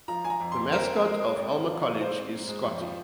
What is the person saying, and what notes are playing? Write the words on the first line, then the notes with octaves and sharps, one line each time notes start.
The mascot of Alma College is Scotty.
F3 A#5
F3 G#5
A#5
F2
F2 C6
C4 A#4
C4
G#3
G#3
G#1
C4
F3
F3
G#3 C5
C4
G#2
G#3
F2
F3